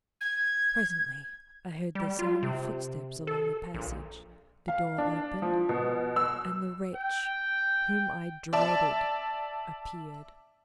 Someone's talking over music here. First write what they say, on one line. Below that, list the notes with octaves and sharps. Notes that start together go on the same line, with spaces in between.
Presently I heard the sound of footsteps along the passage; the door opened, and the wretch whom I dreaded appeared.
G#6
G3
F4
C3
A4
A#1
F5
D4
F3
B2
E6
G5
D5 E5 A5